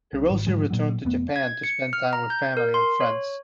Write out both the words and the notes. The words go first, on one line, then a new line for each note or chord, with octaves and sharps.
Hirose returned to Japan to spend time with family and friends.
C2
G#1
G#2 D3 F3 G#3
A#2 F#3
F1 A3 B3
G#6
C#7
F6
A#5
G6
A#4
C6
C#5